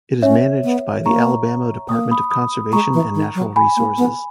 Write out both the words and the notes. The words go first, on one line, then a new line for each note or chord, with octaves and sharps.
It is managed by the Alabama Department of Conservation and Natural Resources.
C#4 C#5 E5
B3
A#3 A#5 C#6
A#3 D#6
B5 D#6
B5 D#6
G#3 A#5 C#6
E3
D#3
F#3
G#5 B5
A#3
B3